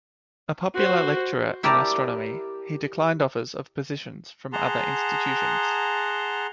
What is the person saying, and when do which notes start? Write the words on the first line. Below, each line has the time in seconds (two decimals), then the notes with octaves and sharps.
A popular lecturer in astronomy, he declined offers of positions from other institutions.
0.75 F#4 C5
1.63 E4 G4 A#4 D5 A5 A#5
4.53 G#4 F#5 A5 A#5 C6